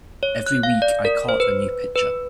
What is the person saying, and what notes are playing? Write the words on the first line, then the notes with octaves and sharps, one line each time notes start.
Every week I caught a new pitcher.
C#5
F#6
F5
D5
A#4
C5
B4
B4